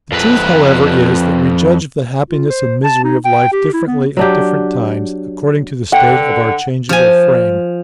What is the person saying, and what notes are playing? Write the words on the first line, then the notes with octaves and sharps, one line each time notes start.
The truth, however, is, that we judge of the happiness and misery of life differently at different times, according to the state of our changeable frame.
F2 B4
F4
C5
A5
D#4
G5
G4
E4
B3
F#3 D4 G4
D3 F#5 G5
F3 G#5